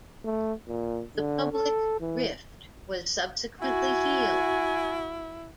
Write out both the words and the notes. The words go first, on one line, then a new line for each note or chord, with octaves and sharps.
The public rift was subsequently healed.
A3
A#2
D3
A4
E3
E4 F#4 G#5